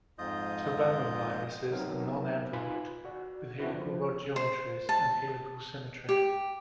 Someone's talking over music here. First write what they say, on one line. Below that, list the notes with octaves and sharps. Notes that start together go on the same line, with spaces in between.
Tobamoviruses are non-enveloped, with helical rod geometries, and helical symmetry.
F2 G#2 F4 D#5 D#6 G6
F#3 B3 C4 D#4 A#4
D#4 F4 B4 G#5 B5
F#4 D5
C4 D4 E4 F#4 B4
F3
C5
A5
G4